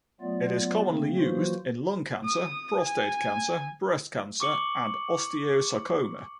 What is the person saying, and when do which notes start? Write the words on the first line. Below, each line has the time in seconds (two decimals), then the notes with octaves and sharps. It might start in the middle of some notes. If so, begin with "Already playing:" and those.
It is commonly used in lung cancer, prostate cancer, breast cancer, and osteosarcoma.
0.21 F#3 A3 B3 F4 D5
0.86 C#3 A3 A#3 C4
1.18 E3 F#3 A#3 F4 F#4 C5
2.25 D#6
2.81 G#5
4.40 C#6 D6 C#7 F#7